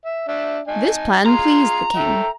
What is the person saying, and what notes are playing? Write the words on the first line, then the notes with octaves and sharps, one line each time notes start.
This plan pleased the King.
E5
D4 E5
D#4 G#5 A5
F4 G#4 A#5 C6
A4 E5 G5